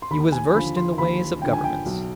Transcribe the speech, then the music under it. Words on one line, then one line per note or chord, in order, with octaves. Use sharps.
He was versed in the ways of Governments.
C6
D#2 B5
G#5
D3 F3 B5
C6
D#2 B5
D3 F3 G5
G#5
G5
B1